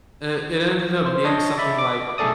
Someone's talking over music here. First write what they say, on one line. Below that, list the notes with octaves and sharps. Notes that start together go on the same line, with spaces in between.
uh, it ended up being something, like,
C5
D4 C#5 D#5
D5 E5 B5
D6
B1 A3 G#4 A4 D5 D#6